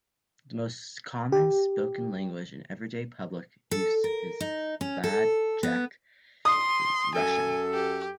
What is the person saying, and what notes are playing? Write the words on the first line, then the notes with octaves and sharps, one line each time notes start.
The most common spoken language in everyday public use in Budjak is Russian.
G4
A4
A#4
D#4
C#4
A4
B3
C6 D#6
F#2 A4 G#5
G4